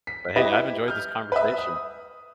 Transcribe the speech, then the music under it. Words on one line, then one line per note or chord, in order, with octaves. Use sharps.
But, hey, I've enjoyed this conversation.
B6
E4 G4 B4 D#5
F6 G6
B4 E5
D#6